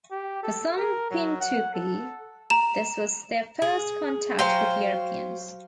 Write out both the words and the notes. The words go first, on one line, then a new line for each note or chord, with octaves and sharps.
For some Pintupi, this was their first contact with Europeans.
G4
A4
A#4
F#3
F#5
A4
A#5 E7
G#4
F#3 C5 F5 G5 C6